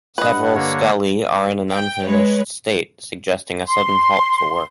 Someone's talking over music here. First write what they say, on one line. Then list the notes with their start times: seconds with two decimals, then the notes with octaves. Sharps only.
Several stelae are in an unfinished state, suggesting a sudden halt to work.
0.18 G2 B4 D#5 F#5
0.55 D3 A#3 C#5
1.70 G5
2.06 G#3 B4 C#5
3.66 C6